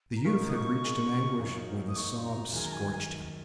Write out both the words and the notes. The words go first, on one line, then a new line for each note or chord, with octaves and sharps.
The youth had reached an anguish where the sobs scorched him.
A#5
C#3 G#3 D#4 A#4 C#6
D#6
C#6
C#3 G#3 D#4 A#4
F#2 F#3 A#3 D#4
D#6
F#2 F#3 A#3 D#4 C#6
A#5
F#2 D#3 G#3 G#5
A#5
G#5
G#5